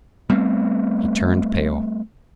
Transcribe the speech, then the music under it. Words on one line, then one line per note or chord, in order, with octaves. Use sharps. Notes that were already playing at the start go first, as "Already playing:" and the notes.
He turned pale.
G3 A3 B3 C4